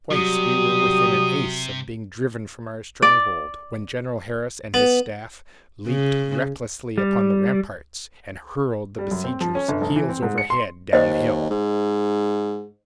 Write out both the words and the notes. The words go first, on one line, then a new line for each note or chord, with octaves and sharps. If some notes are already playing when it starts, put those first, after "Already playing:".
Twice we were within an ace of being driven from our stronghold, when General Harris and his staff leaped recklessly upon the ramparts and hurled the besiegers heels over head down hill.
C3 F#3 G3 D#6
D5
B3
C#3
G3
G3
F#2
C4
F3
C#4
G1
F1
E3
C4
G#2
C#7
C6
D#2 C5 D#5
G#2